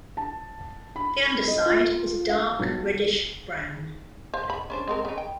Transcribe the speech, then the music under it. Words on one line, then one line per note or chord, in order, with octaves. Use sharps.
The underside is dark reddish brown.
A5
B5
D#5
F4
F5
B1
C5 F5
B5
C#4 D4 C5
G#3 C4 A#4
C#3 D#4
G5